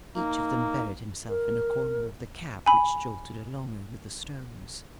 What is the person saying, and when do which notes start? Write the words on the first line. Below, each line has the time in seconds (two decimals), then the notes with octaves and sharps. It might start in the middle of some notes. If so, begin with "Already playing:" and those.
Each of them buried himself in a corner of the cab which jolted along over the stones.
0.16 A#3 D#4
1.29 A#4
2.66 G#5 B5